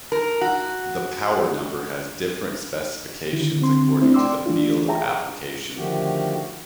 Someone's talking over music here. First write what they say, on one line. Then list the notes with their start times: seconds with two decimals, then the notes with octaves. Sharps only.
The power-number has different specifications according to the field of application.
0.12 A#4
0.41 F#4
3.32 D3 D#3 E4
3.60 D3 C4 C6
4.01 A3 C4 D4 E4
4.14 D5 G5 C6 D6 E6
4.46 E3 A3 D4 F4
4.88 G#4 C#5 E5 G5 A5 A#5
5.76 D3 D#3 F3 A3 F#4 G4